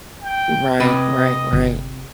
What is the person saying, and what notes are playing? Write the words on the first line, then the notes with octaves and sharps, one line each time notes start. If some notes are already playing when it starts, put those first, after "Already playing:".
Right, right, right.
G5
C3 G4 B4 D#5
G1